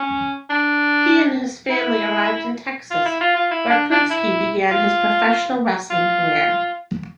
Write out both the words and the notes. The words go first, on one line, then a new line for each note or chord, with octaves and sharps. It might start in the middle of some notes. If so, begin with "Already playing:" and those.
He and his family arrived in Texas, where Putski began his professional wrestling career.
Already playing: C#4
D4
E4
F4
E4
F4
F4
E4
D4
D4
E4
F4
F4